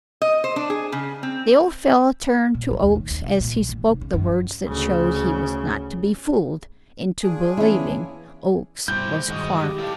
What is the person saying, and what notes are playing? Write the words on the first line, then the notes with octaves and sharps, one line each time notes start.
The old fellow turned to Oakes as he spoke the words that showed he was not to be fooled into believing Oakes was Clark.
D#5
C5
D4
G#4
C#3
C4
A#2
F#3
D#2
A2
D#2
C3
A#2
A#1
A1
F1
C#3
F#2
D2 C#3
D4 F4 G#4
E3 B3 C#4 E4
G2 B2 E4 G4 C5 G6
G2 D#3 G#3 F#4 D#5
G4
E4 A4 F5